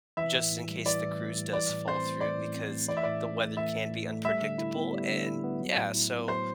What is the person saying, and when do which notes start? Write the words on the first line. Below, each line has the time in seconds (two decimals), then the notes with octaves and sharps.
just in case the cruise does fall through because the weather can be unpredictable, and Yeah, so
0.17 E3 E5
0.35 A2
0.52 A2
0.68 G3
0.85 E3 D5
1.03 A2
1.19 A2
1.36 G3
1.53 E3 D5
1.70 A2
1.87 C4 C5
2.04 A3
2.21 E3 D5
2.38 A2
2.55 C4
2.72 A3
2.88 E3 D5
2.97 E5
3.03 A2 D5
3.23 A2
3.40 A3
3.57 E3 E5
3.74 A2
3.91 A2
4.08 A3
4.25 G3 E5
4.42 D3
4.58 E4
4.76 B3
4.93 G3
5.10 D3
5.26 E4
5.44 B3
5.61 F#3
5.77 A2
5.94 E4
6.12 B3
6.28 F#3 C5